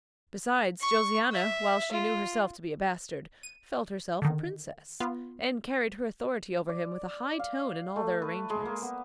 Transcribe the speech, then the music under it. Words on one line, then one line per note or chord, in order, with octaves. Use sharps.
Besides, Josiana, while she knew herself to be a bastard, felt herself a princess, and carried her authority over him with a high tone in all their arrangements.
C#6
E5
F4
D#7
D3 D#3
B3 F4
D5
F5
A3
B4
G#3
A#3
B3